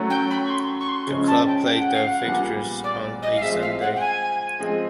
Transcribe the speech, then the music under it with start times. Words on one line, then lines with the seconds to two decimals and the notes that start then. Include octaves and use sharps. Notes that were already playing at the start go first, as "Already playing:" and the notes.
The club play their fixtures on a Sunday.
Already playing: F#3 A3 C#4
0.10 G5
0.30 B5
0.44 C#6
0.49 C6
0.80 C#6
0.88 C6
1.07 C#3 F3 G#3 C#4
1.27 A5
1.46 G5
1.66 G5
1.79 F#5
1.93 F5
2.06 F#5
2.24 A#2 G3 B3
2.83 D5
3.22 D#5
3.35 F5
3.41 F3 G#3 C4 E5
3.62 F5
3.81 F#5
3.96 G5
4.00 G#5
4.59 F3 G#3 C4